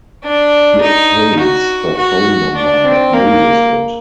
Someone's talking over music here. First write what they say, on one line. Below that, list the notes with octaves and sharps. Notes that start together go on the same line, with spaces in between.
He obtains her phone number but loses it.
D4
D#4
F#4
F#4
D4
C4
A#3